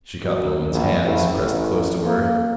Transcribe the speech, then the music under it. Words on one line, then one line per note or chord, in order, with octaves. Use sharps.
She caught the woman's hands, pressed close to her.
F#2
A#1
A1
A1
A#3